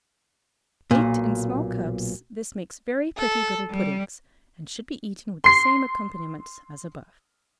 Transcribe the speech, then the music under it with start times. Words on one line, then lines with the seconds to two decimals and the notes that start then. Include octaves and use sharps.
Baked in small cups, this makes very pretty little puddings, and should be eaten with the same accompaniments as above.
0.91 B1 A#2
3.17 A4
3.69 G3
5.44 C6 C7